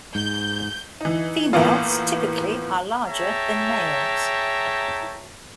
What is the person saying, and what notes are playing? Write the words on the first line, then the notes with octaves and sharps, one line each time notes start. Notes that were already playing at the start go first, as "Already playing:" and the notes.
Females typically are larger than males.
G#2 G6
E3 D#4
A2 E3 A#3 B3 F4
G#4 C#5 E5 G5 A5 A#5